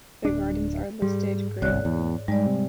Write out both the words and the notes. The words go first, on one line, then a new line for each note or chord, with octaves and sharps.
The gardens are listed Grade One.
D1 D4
G#2 G3
G1 C2 C#5 D5 F#6
E2
G#2 G3 G#3 D5
C3